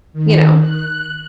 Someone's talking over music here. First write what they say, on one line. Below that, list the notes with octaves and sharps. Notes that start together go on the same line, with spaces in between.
you know.
D#3
F#6